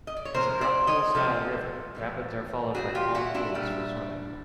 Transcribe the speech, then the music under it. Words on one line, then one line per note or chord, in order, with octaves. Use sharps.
As a drop-pool style river, rapids are followed by calm pools for swimming.
D#5
D5
C#5
C3 F3 G#3 A#4 C5
C5 D5
C#5 D#5
C3 F3 G#3 A4
A2 E3 G3
A2 E3 G3 F#4 G#4
F4 G4
E4 F#4
D4 E4
A#2 G3